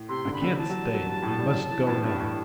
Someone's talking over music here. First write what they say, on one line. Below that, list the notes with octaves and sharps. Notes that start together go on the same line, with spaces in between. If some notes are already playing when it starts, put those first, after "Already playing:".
"I can't stay, I must go now...."
Already playing: A2
C3 C6
D3
B5
D3
E3 A5
F#3
G3
F#3
G2
A2
G3
F#3
E3
G2
A2
G2
A2